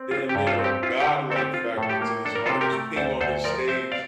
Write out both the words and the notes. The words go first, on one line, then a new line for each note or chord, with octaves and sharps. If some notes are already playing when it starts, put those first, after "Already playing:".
damn near a godlike factor to this artist being on this stage
Already playing: C4
F4
G4
G2
F4 A4
C4
G4
E4 F4
G4
D3
C4 A4
G4
F4
A2 A4
G4
A#3
D4 A4
A#4
F4 A4
C3
G4 A#4
A3
D2 A4 C5
D2 A4 C5
F3 A#4 D5
C4 C5 E5
D5 F5